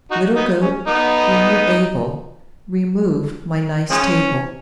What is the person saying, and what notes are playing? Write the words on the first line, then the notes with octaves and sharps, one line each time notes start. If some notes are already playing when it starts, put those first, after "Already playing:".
"Little goat, when you're able, Remove my nice table."
D#4 F#4
B3 D#4
C#4
B3 D#4
F3 G#3 C#4